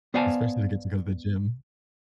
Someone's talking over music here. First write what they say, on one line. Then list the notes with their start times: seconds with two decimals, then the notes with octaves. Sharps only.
Especially to get to go to the gym.
0.14 B3 C5 D5 F5 G#5 A5